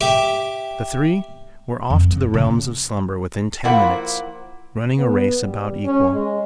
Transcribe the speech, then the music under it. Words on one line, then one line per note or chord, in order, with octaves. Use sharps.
The three were off to the realms of slumber within ten minutes, running a race about equal.
G4 E5 D6
F2
C4
C#3
F3 A#3 E4 F#5
B3
G3
C#4
G#3